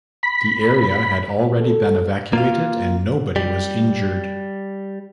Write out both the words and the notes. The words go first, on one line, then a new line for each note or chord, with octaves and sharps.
The area had already been evacuated and nobody was injured.
B5
A4
A#3 F4 F5
G3